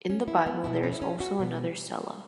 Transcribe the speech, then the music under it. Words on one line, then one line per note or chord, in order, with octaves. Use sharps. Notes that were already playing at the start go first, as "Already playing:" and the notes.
In the Bible there is also another Sela.
C#4
E4
B3
B2 B3 E4
C#4
E4
C#4
F#4
B2 B3